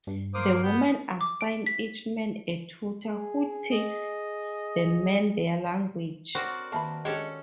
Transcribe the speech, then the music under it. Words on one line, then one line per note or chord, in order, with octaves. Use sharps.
The women assign each man a tutor who teaches the men their language.
G2
A#3 C5 D6 D#6
B3 G6
D6
D7
B6
G#4
D#5
C4 F#4 A#4 C5 D5
D#3 A#3 E5 A5 B5
G#3 C#4 D4 G4 A4 C#5